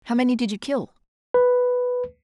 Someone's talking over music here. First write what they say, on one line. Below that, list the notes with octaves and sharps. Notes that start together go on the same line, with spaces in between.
How many did you kill?'
B4